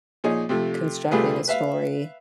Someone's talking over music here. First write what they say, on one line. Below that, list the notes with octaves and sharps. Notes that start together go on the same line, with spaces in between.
constructing a story,
A#2 F3 D#4 G#4 C#5
C3 F3 A3
C2 G3 A3 F4 G#4 B4
B4 E5 F5